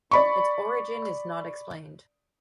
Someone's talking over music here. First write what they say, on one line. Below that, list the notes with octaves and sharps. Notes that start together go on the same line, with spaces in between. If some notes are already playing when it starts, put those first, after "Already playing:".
Its origin is not explained.
D5 B5 C#6